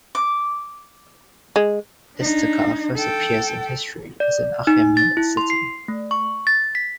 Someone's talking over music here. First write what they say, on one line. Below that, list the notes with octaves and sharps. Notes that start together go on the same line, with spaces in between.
Istakhr first appears in history as an Achaemenid city.
D6
G#3
D4 D#4
A4 G5
D5
D#4
A6
E4
C6
C7
A3
C#6
A6
B6